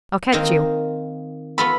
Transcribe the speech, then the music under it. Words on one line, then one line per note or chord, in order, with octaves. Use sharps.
I'll catch you.
D#3 A#3 C4
B3 F4 A4 B5